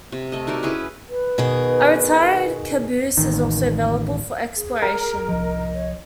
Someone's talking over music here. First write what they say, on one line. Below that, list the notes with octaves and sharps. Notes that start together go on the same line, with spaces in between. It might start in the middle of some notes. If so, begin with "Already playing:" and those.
A retired caboose is also available for exploration.
C3
A3 D#5
D#4 F#4 A#4 D5
C#4 E4 G#4 B4
B4
B2 D#3 G#4
A1 D#3
G#4
A#4
C2 F3 D#5
C#5